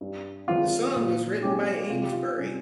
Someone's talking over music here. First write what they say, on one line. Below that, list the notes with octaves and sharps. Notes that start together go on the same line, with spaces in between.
The song was written by Amesbury.
G2
D#3 G#3 C4 F4
A#2 F4
G#3 C#4 G4
C3 F4
G4
F4
G3 C#4